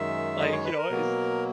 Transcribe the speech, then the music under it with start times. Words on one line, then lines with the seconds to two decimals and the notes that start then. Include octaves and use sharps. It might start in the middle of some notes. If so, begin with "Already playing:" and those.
Like, you know, it's
Already playing: F#2 D#3 G#3 E5
0.40 D#5
0.52 C#5
0.64 B4
0.78 A#4
0.90 B2 F#3 A#3